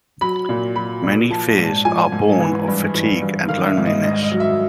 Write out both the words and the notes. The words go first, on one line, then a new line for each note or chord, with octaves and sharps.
Many fears are born of fatigue and loneliness.
F#3 B5
A#2
F#3 B5
A#2
F3 A5
G#2
F3 G#5
G#2
E3
G2
E3
G2
D#3 F5
E5
G#2
D#5
G#2 D#5
D#5
F#3
E5